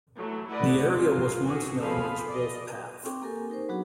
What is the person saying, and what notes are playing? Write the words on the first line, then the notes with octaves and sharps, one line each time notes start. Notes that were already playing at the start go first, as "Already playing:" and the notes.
The area was once known as "Wolfpath".
E3 F#3 A3
A3 E4 B4 D5 D#5 F#5
F#3 G#3 F4
F#4 G#4 A4
F3 G#4 A4 F5 B5
D5 D#5
C4 G5 C#6 D6
A#3 G4 A4 A#4 G#5
D#4 A#4 C5
F#3 B3 D4 F#4 G#4 F#5